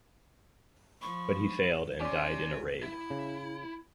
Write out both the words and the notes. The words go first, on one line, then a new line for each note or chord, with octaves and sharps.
But he failed and died in a raid.
F3 B5 C#6
C#4 G4 D5 C6
E4
C#3